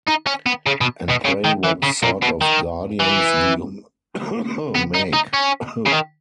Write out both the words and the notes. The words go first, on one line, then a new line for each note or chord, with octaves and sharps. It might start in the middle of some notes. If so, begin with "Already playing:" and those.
And pray what sort of guardians do you make?
D#4
C#4
B3
C#3
B2
B2
C#3
D#3
E3
C#3
A#2
B2
D#3
E3
B3
D#4
D#4
C#4
C#3
D#3